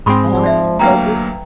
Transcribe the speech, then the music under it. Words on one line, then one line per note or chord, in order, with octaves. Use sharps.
No nobody's
G#2 G#3 C4 B5 C6 D#6
F3
D5 E5
D2 F#3 A#3 B4 F5 G5 A#5